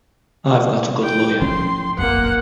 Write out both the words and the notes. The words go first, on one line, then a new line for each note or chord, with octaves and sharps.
I've got a good lawyer.
G5
F3 C#4 C6
F1 A#1 F#2 A#3 F#5